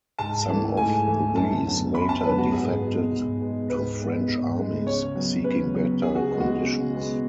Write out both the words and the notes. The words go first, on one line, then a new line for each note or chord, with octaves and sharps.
Some of these later defected to French armies seeking better conditions.
G#2 A5
E3 A3
G#2 G#5
E3 A3
F#2 A5
D3 F#3 B3
F#2 B5
A5
D3 F#3 B3 B4
F#4
G#2 G#4
G#3 B3
G#2
G#3 B3
G#2 B4
G#3 B3
G#2
G#3 B3
C#3 C#5
F#3 B3
C#3 B4
F#3 B3
C#3 G#4
F#4
G#3 B3
F#4
C#3
G#3 B3